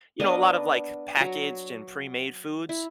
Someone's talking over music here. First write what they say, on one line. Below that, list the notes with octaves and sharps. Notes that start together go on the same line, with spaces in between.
you know, a lot of, like, packaged and premade foods,
B3 D4 A#4 D#5
F#3 A#5
E4